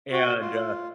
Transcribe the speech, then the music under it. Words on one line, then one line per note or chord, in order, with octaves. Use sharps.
and, uh,
F#4
F4